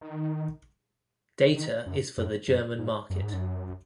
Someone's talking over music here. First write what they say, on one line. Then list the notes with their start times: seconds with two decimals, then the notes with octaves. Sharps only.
Data is for the German market.
0.01 D#3
1.55 D#3
1.86 F#2
2.18 F#2
2.48 F#2
2.78 G#2
3.10 F#2
3.22 G#2
3.33 F#2